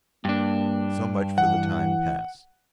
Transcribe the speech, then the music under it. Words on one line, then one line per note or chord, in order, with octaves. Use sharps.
So much for the time past.
G2 A#3 D4
E3 F#5